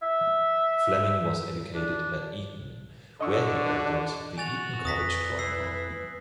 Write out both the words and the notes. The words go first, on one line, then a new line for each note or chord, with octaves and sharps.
Fleming was educated at Eton, where he edited the "Eton College Chronicle".
E5
D4
D3 D4 D#5 C#6 E6
F#4 G#5 A6 F7
F2 B4 D#6 A#6 B6
E4 E6 C7